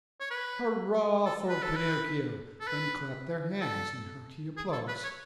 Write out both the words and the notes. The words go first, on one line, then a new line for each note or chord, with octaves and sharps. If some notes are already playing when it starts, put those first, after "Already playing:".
"Hurrah for Pinocchio!" and clapped their hands in hearty applause.
C#5
B4
A4
B4
A4
B4
A4
B4
A4
G#4
A4
B4
C#5